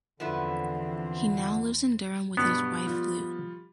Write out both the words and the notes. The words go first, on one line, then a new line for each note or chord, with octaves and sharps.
He now lives in Durham with his wife Lou.
E2 D3 F3 B3 C4 E4
G2 B2 G3 B3
F3 G3 F4